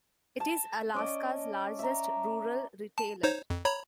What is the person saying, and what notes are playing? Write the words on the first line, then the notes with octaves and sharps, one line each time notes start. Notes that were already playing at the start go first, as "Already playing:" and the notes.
It is Alaska's largest rural retailer.
A5
C#4 D5 D#5
E5 A#5
A5
D#4 C5 C#5
F2
C#5 A#5 B5